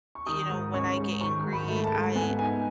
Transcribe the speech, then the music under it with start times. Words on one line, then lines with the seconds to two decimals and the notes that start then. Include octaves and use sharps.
you know, when I get angry, I
0.15 C#6
0.27 D#3 D#6
0.50 G#2
0.74 C#4 C#6
0.97 G#2
1.21 D#3 C#6
1.45 G#2
1.53 B5
1.68 A3
1.84 A5
1.92 G#2
2.15 B3 G#5
2.39 D#4 G#5